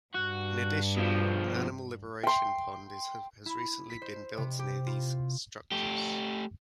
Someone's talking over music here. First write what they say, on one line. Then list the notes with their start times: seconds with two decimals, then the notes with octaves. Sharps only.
In addition, an animal liberation pond has recently been built near these structures.
0.15 G2 F#4
0.97 B2 F3
2.23 G5 C6
3.46 E4
3.90 B6
4.02 C5
4.37 C3
4.59 G4
4.87 F4
5.72 A3 G4